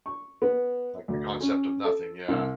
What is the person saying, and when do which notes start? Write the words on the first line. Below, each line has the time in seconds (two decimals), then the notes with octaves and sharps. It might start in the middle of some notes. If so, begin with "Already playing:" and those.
Like, the concept of nothing, yeah.
0.06 C#6
0.42 B3
1.08 D2
1.40 C#4
1.84 A4
2.28 C2